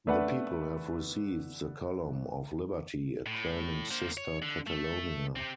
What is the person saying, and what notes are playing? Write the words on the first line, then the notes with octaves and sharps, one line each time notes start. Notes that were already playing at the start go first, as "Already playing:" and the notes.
The people have received the column of liberty acclaiming Sister Catalonia.
A3 D4 B4 F#5
A2
A#3 C5
C#5
D3
A3
C4 G4